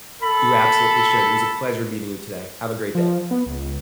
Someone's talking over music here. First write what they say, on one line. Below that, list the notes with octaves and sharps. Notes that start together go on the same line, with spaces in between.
You absolutely should. It was a pleasure meeting you today. Have a great day.
A4 B5
F3
B3
C#2